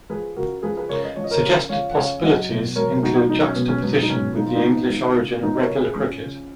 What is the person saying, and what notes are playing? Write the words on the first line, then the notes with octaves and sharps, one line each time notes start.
Suggested possibilities include juxtaposition with the English origin of regular cricket.
F3 G#4 B4
C#3 F#4 A#4
F3 G#4 B4
G#4 B4
C#3 A#4 C#5
B4 D#5
F3 C#5
D#5
A#4 C#5
C#3
F3 C#5 F5
F#5
C#3 C#5 F5
F#3 D#5 F#5
B2
F#3 A#4 C#5
B2 D#4 F#4
F#3 D#4
C#4
B2 B3
C#4
F#3 B3
D#4
B2 C#4
F3 D#4
F4
B3 D#4
C#3
F3
C#3
F3 B3 D#4
D#5
A#4 C#5
C#3
G#4 B4
F3 C#4
C#3